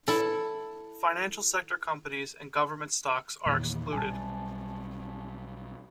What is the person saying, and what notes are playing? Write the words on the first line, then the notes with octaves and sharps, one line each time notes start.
Financial sector companies and government stocks are excluded.
E4 A4
E2 A#2 D#3 E3
B1 G3 G#5 A5